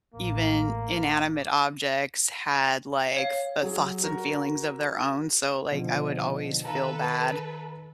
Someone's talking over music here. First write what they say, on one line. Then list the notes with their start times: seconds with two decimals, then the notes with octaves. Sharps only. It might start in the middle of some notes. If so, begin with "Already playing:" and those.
even inanimate objects had, like, f uh, thoughts and feelings of their own, so, like, I would always feel bad,
0.14 A1 A#3
3.16 C#5 F5
3.63 F#3 G#4
4.03 F#4 A#4
5.72 B2 D3 F3
6.65 D#3 A4 B4 F5 A#5